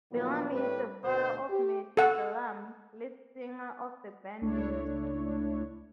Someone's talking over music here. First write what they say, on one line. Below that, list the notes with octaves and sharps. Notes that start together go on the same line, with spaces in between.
Bellamy is the father of Matthew Bellamy, lead singer of the band Muse.
A#2 D#3 F3 F#3 A#3 B3
A2 G3 B4
D2 B2 C5
G4
A4 F#5
C#2 A3 D4 E4 C#5